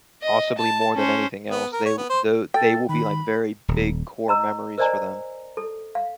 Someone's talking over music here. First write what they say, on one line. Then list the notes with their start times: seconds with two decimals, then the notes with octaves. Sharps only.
possibly, more than anything else. They w the they will be, like, very big core memories for them,
0.22 D#5
0.58 A5
0.96 C#4 C5
1.51 B3
1.73 A#4
1.86 C#5
1.98 B3
2.10 C5
2.54 A4 G5
2.89 D#3 B5
3.68 D#1
4.28 D#5 A#5 E6
4.78 A#4 C5 D5 D#5 G#5 A#5
5.57 A4
5.95 F5